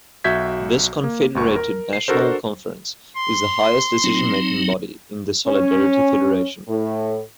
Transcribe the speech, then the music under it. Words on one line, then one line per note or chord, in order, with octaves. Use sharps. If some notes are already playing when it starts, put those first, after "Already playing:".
This confederated national conference is the highest decision making body in the Solidarity Federation.
B1 F#4 E5 G6 G#6 B6
A#3
G1 D2 C#6
A#4
C7
D4 F#4 A4 A#4 C5
C6
F#3 C4 D#4
C#4
A2